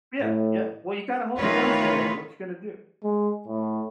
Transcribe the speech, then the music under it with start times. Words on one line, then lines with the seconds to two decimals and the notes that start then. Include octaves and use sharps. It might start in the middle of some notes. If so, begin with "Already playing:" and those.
Yeah. Yeah. Well, you gotta hold the buns together, what ya gonna do?
0.22 A2
1.37 D#3 E3 A3 F4 B4 C#5
3.03 G#3
3.47 A2